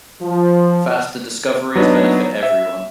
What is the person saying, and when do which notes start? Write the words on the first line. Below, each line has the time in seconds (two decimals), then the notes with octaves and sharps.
Faster discoveries benefit everyone.
0.22 F3
1.76 F#3 B3 D4 D#4
2.43 E5